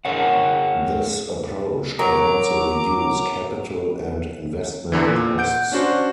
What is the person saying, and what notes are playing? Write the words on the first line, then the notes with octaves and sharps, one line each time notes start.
This approach can also reduce capital and investment costs.
G#4 A#4 C#5 F#5
F#3 A#4 A#5 D6
E2 D3 E3
A#2
F#5 G6 D7
C#4 D4 F#4 C5